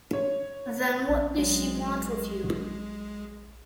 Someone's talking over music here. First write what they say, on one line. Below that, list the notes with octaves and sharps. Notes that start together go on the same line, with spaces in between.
Then what does she want with you?
C#5
A#1
F#3 G#3